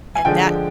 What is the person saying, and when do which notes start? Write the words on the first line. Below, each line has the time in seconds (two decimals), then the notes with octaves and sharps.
And that
0.15 G#5
0.25 D3 F3 G#3 G5